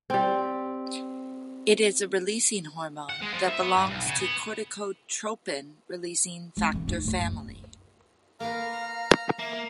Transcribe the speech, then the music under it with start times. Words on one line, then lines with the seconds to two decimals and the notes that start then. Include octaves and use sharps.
It is a releasing hormone that belongs to corticotropin-releasing factor family.
0.10 G3 C4
3.10 F#5
3.22 G#3
3.34 F3
3.48 E5
3.63 B3
3.76 G2
3.89 B1
4.06 C#3
4.19 B3
6.57 G#3 C4
6.73 E2 D3
6.88 D2 D#4
7.05 C#2 A2
7.18 F#1
8.40 A#3 A#4 B4 F5 A#5 F6
9.39 A#3 E5